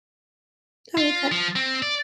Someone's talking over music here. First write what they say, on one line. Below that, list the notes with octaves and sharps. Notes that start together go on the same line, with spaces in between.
Oh, okay.
F4
F3
C4
D5